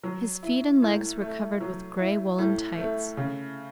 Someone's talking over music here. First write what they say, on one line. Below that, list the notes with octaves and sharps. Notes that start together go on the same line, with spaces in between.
His feet and legs were covered with gray woolen tights.
F#3
E4
A2
A3
F#3
E4
A2
A3
C#3